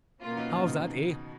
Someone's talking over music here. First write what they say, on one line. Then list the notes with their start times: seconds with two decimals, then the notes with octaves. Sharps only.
How's that, eh?
0.22 B2 A#3 C#4 F4
0.37 B3 D#4
0.53 C#3 F3
0.68 B2 D#3